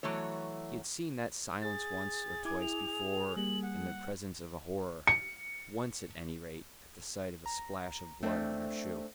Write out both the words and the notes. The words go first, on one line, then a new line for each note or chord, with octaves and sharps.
He had seen that silence once or twice before in the presence of a horror--once at any rate, at the sight of a splash of blood on her shoe.
E3 F#3 A3 C#5
G#4 A6
E4 G#5 D6 G#6
F7
G3 A#3 F#7
F#5
C#7
A#5
A3 C4 D4